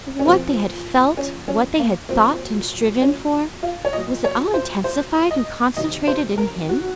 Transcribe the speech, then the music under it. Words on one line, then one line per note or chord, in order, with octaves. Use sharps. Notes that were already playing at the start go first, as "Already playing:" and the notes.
What they had felt--what they had thought and striven for--was it all intensified and concentrated in him?
C#4
A#2 F3 C4
C#4
C#4
A#3
A#2 F#3 C4
C#4
F4
C#5
A#2 F#3 D#5
C#5
C5
C5
D#5
C3 D#3 F#3 D#5
C5
A#4
F#4